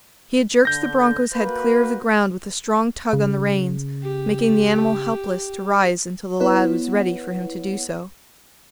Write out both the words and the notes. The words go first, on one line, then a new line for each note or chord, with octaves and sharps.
He had jerked the broncho's head clear of the ground with a strong tug on the reins, making the animal helpless to rise until the lad was ready for him to do so.
D3 G6 A#6
A#3 F#4 B4
C#3
G4
B3 E4 B4 C#5 F#5